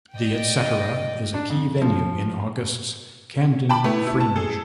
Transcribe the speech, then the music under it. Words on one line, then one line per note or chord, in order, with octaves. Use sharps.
The Etcetera is a key venue in August's Camden Fringe.
D5 D#5 G5
D4
F2
F3
G5 A5 B5 D6
A3 B3 E4
E4
A5
G#4 A4